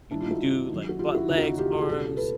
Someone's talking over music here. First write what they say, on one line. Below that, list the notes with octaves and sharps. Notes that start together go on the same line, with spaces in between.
you can do, like, butt, legs, arms,
G2 D#3 D4 E4
D#4 F4
E4 F#4
F#2 D#3
F#4
F4 G4
E4 F#4
D#2 C#3 E3 D#4 F4
E4 F#4
F4 G4
A4
G#4
C#2 B2 G4 A4
A4 B4